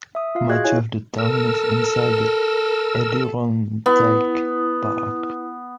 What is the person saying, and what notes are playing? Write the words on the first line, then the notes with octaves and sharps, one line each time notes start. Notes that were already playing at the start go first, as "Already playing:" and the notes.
Much of the town is inside the Adirondack Park.
E5 D#6
F4 F5
F#4 G#4 D#5 F5 F#6 G#6
E4 C#5 G#5 F#6
A4 A#4 E6
B3 E4 B4